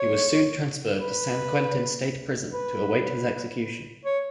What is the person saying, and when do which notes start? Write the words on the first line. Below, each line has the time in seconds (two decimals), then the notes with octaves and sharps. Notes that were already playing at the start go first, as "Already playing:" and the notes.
He was soon transferred to San Quentin State Prison to await his execution.
Already playing: C#5
0.99 B4
2.52 B4
4.05 C#5